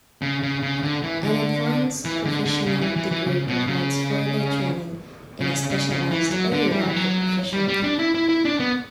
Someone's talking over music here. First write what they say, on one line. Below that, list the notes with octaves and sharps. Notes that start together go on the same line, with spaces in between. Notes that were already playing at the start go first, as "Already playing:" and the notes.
An advanced professional degree provides further training in a specialized area of the profession.
C#3
C#3
C#3
D3
E3
D3
E3
D3
D3
C#3
E3
E3
E3
C#3
B2
C#3
C#3
C#3
C#3
E3
F#3
D3
G3
F#3
E3
F#3
G3
G3
D4
E4
E4
E4
D4
B3